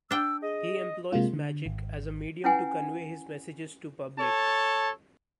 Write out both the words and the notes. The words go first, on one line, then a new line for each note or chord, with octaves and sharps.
He employs magic as a medium to convey his messages to public.
D4 G5 E6
G#4 D#5
C3 G#3 A#3 F4
D3
G#1
C#4 E4 B4 F#5 G#5
A4 C#5 A5